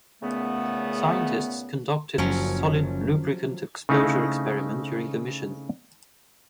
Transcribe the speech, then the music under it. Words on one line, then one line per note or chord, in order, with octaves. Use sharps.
Scientists conducted a solid lubricant exposure experiment during the mission.
C#2 A#2 C#3 A3 B3
F#1 F#2 F3 F#3 C#4
C#3 A3 C4 D#4 E4 F5